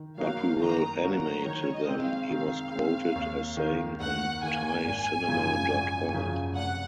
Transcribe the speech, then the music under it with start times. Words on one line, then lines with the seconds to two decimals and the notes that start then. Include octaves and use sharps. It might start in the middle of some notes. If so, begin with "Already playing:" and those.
But we will animate them, he was quoted as saying on ThaiCinema dot org.
Already playing: D#3
0.18 F#3 A#3 D#4 F#4 F5
0.60 D#3 A#5
1.03 F#3 A#3 D#4 F#4
1.16 A#5
1.46 D#3 C#5
1.73 D#5
1.87 G#3 C4
2.02 F5
2.30 D#3
2.72 G#3 C4
3.15 D#2
3.57 D#3 A#3
4.00 D#2 F#5
4.43 D#3 A#3 G#5
4.85 G#1
5.28 F#2 C#3 F3
5.70 G#1
6.12 F#2 C#3 F3
6.55 F1 F#5